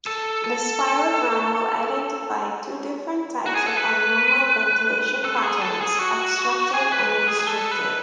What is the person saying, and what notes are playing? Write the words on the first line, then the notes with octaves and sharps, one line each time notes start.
The spirogram will identify two different types of abnormal ventilation patterns, obstructive and restrictive.
A4
A4
F#4
G#4
A4
B4
A4
A4
G#4
A4
G#4
F#4
G#4
B4
B4
G#4
G#4
A4
B4